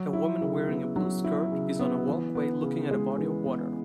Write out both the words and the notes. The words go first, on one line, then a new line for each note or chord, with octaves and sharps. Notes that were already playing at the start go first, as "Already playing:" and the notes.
A woman wearing a blue skirt is on a walkway looking at a body of water.
Already playing: F#3
E4
C#3
B3
F#3
E4
C#3
B3
E3
B3
C#3
G#3
E3
B3